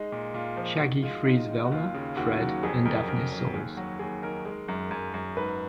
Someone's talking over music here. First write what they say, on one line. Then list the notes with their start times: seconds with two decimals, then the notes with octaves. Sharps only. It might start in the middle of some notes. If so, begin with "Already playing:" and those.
Shaggy frees Velma, Fred, and Daphne's souls.
Already playing: G#3 D#4
0.12 A#2
0.34 A#2 F4
0.57 F3
0.80 D#3 F#4
1.03 G#3 F4
1.25 D#3 D#4
1.49 D#3
1.65 F#4
1.71 D#2 F4
1.94 C#3
2.17 D#2 F#4
2.40 F#3
2.63 F2 G#4
2.85 F2 A#4
3.09 C#3 A#4
3.32 F#3
3.54 D#2 G#4
3.77 F#3 F#4
3.99 D#2 G#4
4.22 D#3 A#4
4.45 G#3
4.68 F#2
4.91 F#2
5.14 F#2
5.37 G#2 B4